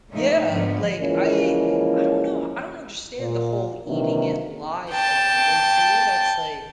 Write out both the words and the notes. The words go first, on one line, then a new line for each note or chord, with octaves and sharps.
Yeah, like, I I don't know, I don't understand the whole eating it live thing, like, to me, that's like
A#2 C#3 F3 A3 A#3 D#4
G#2 D3 F3 B3
C#3 E3 F3 G#3 A#3 C#4
A#2
C3 D#3 E3 F#3 A#3 D4
G5 A5